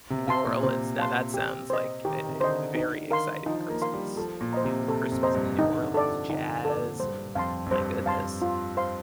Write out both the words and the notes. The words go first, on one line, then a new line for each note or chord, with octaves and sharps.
New Orleans, now that sounds like a very exciting Christmas. New Christmas in New Orleans, jazz and my goodness.
C3
C3 F5 A5 C6
A#2
C3 C5
F5 A5 C6
G4
C5 D#5
D#3 G4
C3
D3 C5 D#5
D3 D#4
D#3 A#4 F5 C6
F3 D#4
A#3
A#4 F5 C6
G3
F3 A4
A#2
C5 D#5 A#5
C3
C3 A4
F2
C5 D#5 A#5
G2
D3 D#4
C3
D3
A4 D5
F3
D3 D#4
A4
D5
A#2
G2 C5
F2 F5 A5 C6
F2
G2 C5
F5 A5 C6
F4
C5 F5 C6